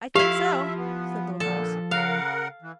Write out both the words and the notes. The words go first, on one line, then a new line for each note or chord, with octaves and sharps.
I think so,' said Little Klaus.
F3 E4 G4 E5 F5
B3
A#2 D3 A4
C#3 A#4 F5 F#5
E3